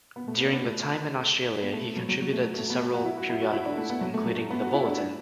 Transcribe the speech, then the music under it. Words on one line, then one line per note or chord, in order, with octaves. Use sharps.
During the time in Australia he contributed to several periodicals, including "The Bulletin".
B3
A3
B3
D4
B3
A3
B3
A3
A3
F#3
F#3
F#3
A3
A3
B3
F#4
E4
F#4
E4
F#4
E4
D4
A3
B3
F#3
A3
F#3
A3
B3
F#4
E4
D4
D4